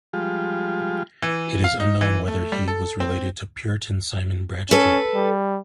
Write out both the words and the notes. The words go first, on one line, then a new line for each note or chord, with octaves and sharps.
It is unknown whether he was related to Puritan Simon Bradstreet.
F3 G3 G#3 F4
E3
F5
D#4
E3
A3
G3
A4
C4
C#4 A4 B4
G3